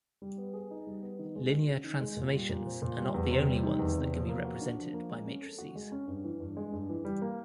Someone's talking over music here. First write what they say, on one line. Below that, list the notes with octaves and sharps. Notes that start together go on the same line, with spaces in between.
Linear transformations are not the only ones that can be represented by matrices.
G3
B3
G#4
D#4
G3
B3
D#3
G#3
F#4
C#4
D#3
G#3
A#2
G3
A#2
C4
A#2
G3
E2
C3
G3
D#3
E2
C3
F3
A#3
F#4
D4
F3
A#3
G#3
C#4
A4
F#4
G#3
C#4
G2
E3
G2
G#3
G2
E3
G3
A#3